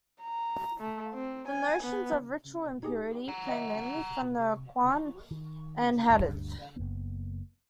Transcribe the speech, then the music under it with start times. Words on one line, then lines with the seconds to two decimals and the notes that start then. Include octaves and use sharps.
The notions of ritual impurity come mainly from the Qur'an and hadith.
0.22 A#5
0.80 A3
1.14 C4
1.48 G#5
1.83 B3
2.83 D#4 G4 G#4
3.28 F#5 A#5
3.49 D#5 E5
5.31 D#3
6.10 D2 G2
6.76 F#1 F2 A#3 B3